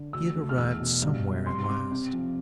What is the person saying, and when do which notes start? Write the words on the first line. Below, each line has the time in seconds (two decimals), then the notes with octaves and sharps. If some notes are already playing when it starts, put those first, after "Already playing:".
He had arrived somewhere at last.
Already playing: D3
0.13 D2 E6
0.36 A3
0.49 F6
0.57 E2 E6
0.80 B2
1.02 G2
1.24 G2
1.46 C3 C6
1.64 C6
1.69 C3 D6
1.91 C4
2.13 F3